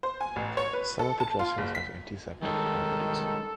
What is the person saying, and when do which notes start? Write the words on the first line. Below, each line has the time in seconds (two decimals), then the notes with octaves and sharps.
Some of the dressings have antiseptic properties.
0.03 C5
0.21 G#5
0.36 A1
0.57 C#5
0.73 B4
0.99 A4
1.20 A5
1.39 F4
1.58 F#1
1.75 B6
2.43 D#3 G3 G#3 C#4 A4